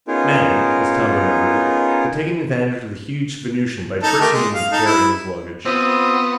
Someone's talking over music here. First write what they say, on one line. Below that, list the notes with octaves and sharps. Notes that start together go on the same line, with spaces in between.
Manning, as Tom remembered it, had taken advantage of the huge Venusian by tricking him into carrying his luggage.
B3 C#4 D#4 F4 G#4 A#4
D#4 A4
A3 G4 A#4
G#3
F5
D#4 A4
E4
B3 C4 F4 D#6